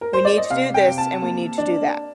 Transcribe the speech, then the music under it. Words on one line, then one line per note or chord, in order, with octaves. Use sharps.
We need to do this and we need to do that.
A#4
C5
D5
D#5
C3 F5
G5
C3
A5
A#3
D4